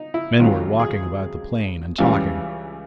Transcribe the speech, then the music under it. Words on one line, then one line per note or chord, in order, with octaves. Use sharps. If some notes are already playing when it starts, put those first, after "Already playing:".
Men were walking about the plain and talking.
Already playing: D#4
E4
C#2 C3 D#3 F#3 F4
G#4
C#2 C#3 E3 G3